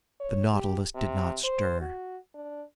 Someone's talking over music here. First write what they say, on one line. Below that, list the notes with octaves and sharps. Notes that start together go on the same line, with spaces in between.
The Nautilus did not stir.
C#5
G4
C3
C5
F#4
D4